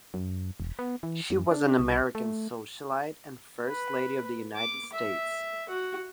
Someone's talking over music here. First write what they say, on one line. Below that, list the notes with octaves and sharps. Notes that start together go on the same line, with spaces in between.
She was an American socialite and first lady of the United States.
F#2
E1
B3
E3
F#2
D4
C2
A3
B4
D6
E5
F#4